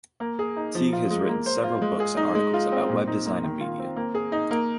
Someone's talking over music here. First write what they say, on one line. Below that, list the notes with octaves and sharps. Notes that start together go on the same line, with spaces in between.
Teague has written several books and articles about web design and media.
A#3
G#4
D#4
F3
F4
G#3
A#3
C5
F4
G#3
G#4
D#4
G#3
F4
C4
A#2
D#4
A#3
D#3
F4
C4
A#3
G#4
D#4
A#3